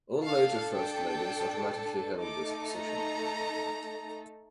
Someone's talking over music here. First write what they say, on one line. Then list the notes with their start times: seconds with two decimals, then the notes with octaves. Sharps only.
All later First Ladies automatically held this position.
0.21 D4 A4 F5
0.72 G5
2.21 A3 D#4 A4 D6
2.71 A#5